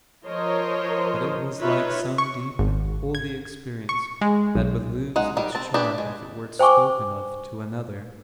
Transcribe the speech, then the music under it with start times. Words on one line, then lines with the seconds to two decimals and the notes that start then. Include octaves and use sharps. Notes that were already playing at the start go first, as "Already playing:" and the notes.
But it was like some deep and holy experience that would lose its charm if it were spoken of to another.
0.25 F3 A#4 C5 C#5 D#5
1.58 D#4 F4 B4 C#5 E5
2.18 C#6
2.59 G#1
3.15 G#6
3.89 C#6
4.21 G#3
4.55 B1
5.16 G#3 D#4 F#5
5.37 D#3 G3
5.55 C4 A5
5.74 D4 G4 G#4 B4
5.98 G#3
6.59 C5 G5 G#5 C#6 D6